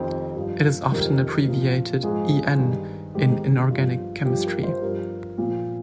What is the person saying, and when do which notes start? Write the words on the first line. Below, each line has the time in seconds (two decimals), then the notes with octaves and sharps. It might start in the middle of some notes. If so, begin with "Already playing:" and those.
It is often abbreviated "en" in inorganic chemistry.
Already playing: F2 C3 D#3 C5
0.36 G2 F3
0.91 F2 C3 D#3 A#4
1.47 A#2 F3
2.03 G#2 F3 G#4
2.59 G2 D#3
3.15 G#2 D#3 G4
3.71 G2 F3 F4
4.26 G2 F3 G4
4.45 A#4
4.63 C5
4.82 G2 F3 A#4
5.38 A#2 F3